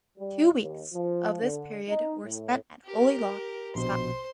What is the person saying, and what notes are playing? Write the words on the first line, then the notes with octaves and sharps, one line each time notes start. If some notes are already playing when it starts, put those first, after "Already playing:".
Two weeks of this period were spent at Holy Loch, Scotland.
G3
D#2
F3
D3
D#4
A2
G4 A#4
A#1 B2 C5 C6